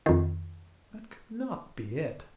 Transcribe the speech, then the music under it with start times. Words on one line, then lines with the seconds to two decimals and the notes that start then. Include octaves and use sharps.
That could not be it.
0.06 F2 D#3